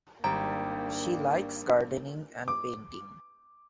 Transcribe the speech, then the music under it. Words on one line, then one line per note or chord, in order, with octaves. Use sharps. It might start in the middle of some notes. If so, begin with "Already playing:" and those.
She likes gardening and painting.
G#1 G3 A#3 D4 G5 A#5
D6